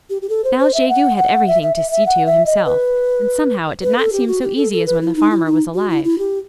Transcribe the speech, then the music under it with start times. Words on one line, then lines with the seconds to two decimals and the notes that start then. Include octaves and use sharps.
Now Jegu had everything to see to himself, and somehow it did not seem so easy as when the farmer was alive.
0.10 G4
0.22 G4
0.29 A4
0.44 C5
0.59 C5
0.74 E5
0.89 F#5
1.17 F#5
1.47 E5
1.62 E5
1.76 E5
1.91 E5
2.06 F#5
2.26 E5
2.46 D#5
2.65 B4
3.83 B4
3.98 A4
4.12 G4
4.28 F#4
4.42 G4
4.56 A4
4.72 A4
4.86 B4
5.01 E4
5.16 D#4
5.30 E4
5.46 D#4
5.74 F#4
5.90 E4
6.04 E4
6.18 G4